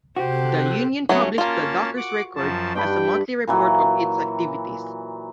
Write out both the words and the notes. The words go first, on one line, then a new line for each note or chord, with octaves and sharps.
The union published the "Dockers' Record" as a monthly report of its activities.
C3 F#4 G4 A4 C5 F#6
F#3 A3 C#4 F#4
A#3 C#4 F4 A#4 A5
F#5 D6
F#2 F3 A5
G2 D4 G5 B5
A#2 E3 F#3